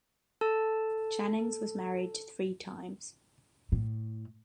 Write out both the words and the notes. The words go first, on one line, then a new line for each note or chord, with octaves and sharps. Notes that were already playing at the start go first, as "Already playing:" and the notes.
Jannings was married three times.
A4 A5
A2